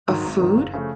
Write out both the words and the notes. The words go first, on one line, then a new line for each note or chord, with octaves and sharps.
a food,
G#2 D#3 F#3
G#1
G#2 D#3 F#3
F#1
C#3 F3 A3